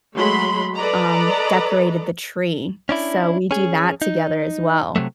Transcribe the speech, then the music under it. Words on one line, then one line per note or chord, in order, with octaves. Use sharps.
um, decorated the tree; so we do that together as well.
F#3 G#3 A3 B5 C6
A4 B4 D5 D#5 A#5
C#4 D4 E4
C#4 G#4
D#4
C3 E3 F#3 A3